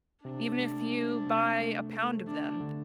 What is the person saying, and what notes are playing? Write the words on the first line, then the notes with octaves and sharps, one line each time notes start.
even if you buy a pound of them.
C3 D4
A3
A3
C3
A3
A4
A3 D4
D3